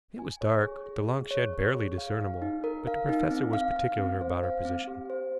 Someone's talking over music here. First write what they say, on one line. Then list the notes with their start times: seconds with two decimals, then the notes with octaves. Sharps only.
It was dark, the long shed barely discernible, but the professor was particular about our position.
0.19 G#5
0.41 C#5
0.63 G#4
0.86 G#4
1.08 G#4
1.31 C#5
1.53 C#5
1.75 G#4
1.98 F5
2.20 F5
2.42 D#4
2.64 A#4
2.87 F5
3.09 D#4
3.31 C4
3.53 F5
3.76 F5
3.98 C4
4.21 C5
4.43 F5
4.65 C4
4.87 G4
5.10 C5